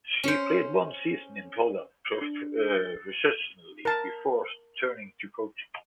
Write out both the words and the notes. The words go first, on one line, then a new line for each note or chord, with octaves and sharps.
She played one season in Poland professionally before turning to coaching.
C#4 C5
D4
A6
A#4 A5